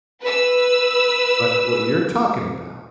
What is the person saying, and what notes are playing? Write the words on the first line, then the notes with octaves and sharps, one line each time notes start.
but what you're talking about
B4 E6